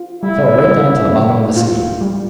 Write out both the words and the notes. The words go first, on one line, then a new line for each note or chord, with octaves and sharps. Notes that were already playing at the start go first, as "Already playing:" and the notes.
It fell right down to the bottom of the sea.
Already playing: F4
G3 E4
G3
A#3
F4
G3